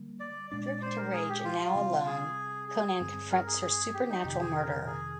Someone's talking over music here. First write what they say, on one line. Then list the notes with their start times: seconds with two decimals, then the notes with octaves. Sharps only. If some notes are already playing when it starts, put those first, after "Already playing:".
Driven to rage and now alone, Conan confronts her supernatural murderer.
Already playing: D3 G3 A#3
0.20 D5
0.51 A#2 G#3 D4 D5
0.66 D5
0.82 C5
0.97 A#4
1.13 G#4
1.29 G4
1.44 F4
1.75 C3 G3 C4
2.07 G#4
2.69 G#4
3.00 G2 D3 G3 C4
3.31 A#4
3.47 G#4
3.62 G#4
3.94 G4
4.09 D#4
4.24 F2 C3 D#3 G4
4.40 G#4
4.55 A#4
4.71 A#4
4.87 G#4